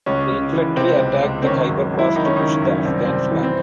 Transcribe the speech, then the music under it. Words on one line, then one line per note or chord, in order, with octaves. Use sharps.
The infantry attacked the Khyber Pass to push the Afghans back.
C#2 C#4
C#2
E3
C3 C4
C#2
C#2
C4
D#3 C#4
F#2
F#2
E4
D#3 D#4
C#4
D#3 D#4
F#2
C2 C4
C2 C4
E3
C4